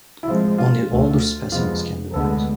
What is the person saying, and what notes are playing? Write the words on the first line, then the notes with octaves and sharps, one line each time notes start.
Only the older specimens can divide.
E4
A2 F3 G#3 C4 F4
F4
D2 D3 A3
F2 C3 G#3 B3 F4
D2 D3 G#3 B3 A4